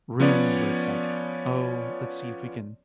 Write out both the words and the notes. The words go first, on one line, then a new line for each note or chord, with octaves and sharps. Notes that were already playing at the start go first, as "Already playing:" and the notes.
rooms where it's like, "Oh, let's see if we can,
F3 B3 C#4 C#5 D5